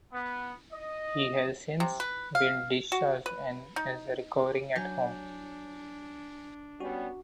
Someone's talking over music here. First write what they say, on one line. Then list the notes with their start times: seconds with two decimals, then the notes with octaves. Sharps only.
He has since been discharged and is recovering at home.
0.12 B3
0.73 D#5
1.80 C3
2.00 B4
2.35 F5
2.92 F#4
3.26 B4
3.76 D#4
4.76 F#3 D4 G#5 G6
6.80 G3 B3 C#4 F#4